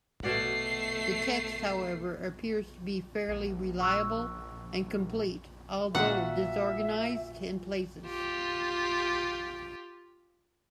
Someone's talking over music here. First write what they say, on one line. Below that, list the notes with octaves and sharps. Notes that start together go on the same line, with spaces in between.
The text, however, appears to be fairly reliable and complete, although disorganized in places.
B2 A3 D5 F#5 C7
A#1
C#6 E6 F#6
A#2 F#4 E5 F#5
F4 G4